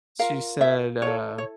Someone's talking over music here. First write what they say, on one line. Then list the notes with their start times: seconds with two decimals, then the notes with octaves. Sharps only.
she said, uh,
0.19 F4 A#4 F5
0.61 E5
1.02 E4 A4 C#5
1.38 C#5